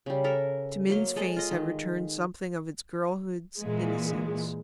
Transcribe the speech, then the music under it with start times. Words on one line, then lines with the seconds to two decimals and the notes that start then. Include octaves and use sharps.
To Min's face had returned something of its girlhood's innocence.
0.06 C#3 G3
0.24 A4 A#4 E5
0.89 F#3 A#3 C6
1.16 G#3 A4 D#5
1.36 F4 D#5
1.51 D#3
3.60 A#2 E3 G#3